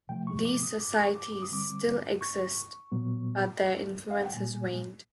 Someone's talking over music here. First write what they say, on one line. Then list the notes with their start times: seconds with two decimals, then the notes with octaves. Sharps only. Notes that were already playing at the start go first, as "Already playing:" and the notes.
These societies still exist, but their influence has waned.
0.09 C3 F3 A3 G5
0.27 C#6
0.45 D6
0.63 D#6
0.80 D6
0.97 C#6
1.15 D6
1.32 D6
1.42 D#6
1.51 D3 G3 C4 D6
2.21 C#6
2.92 A#2 F#3 B3
4.11 F5
4.18 F#5
4.25 G5
4.33 A#2 G3 A#3 G#5